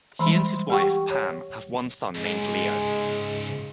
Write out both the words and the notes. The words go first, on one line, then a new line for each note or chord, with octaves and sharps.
He and his wife, Pam, have one son named Leo.
E3 G3 G#3 B5
G4 F#5 G5 C#6
C#5
C#2 G#2 G#3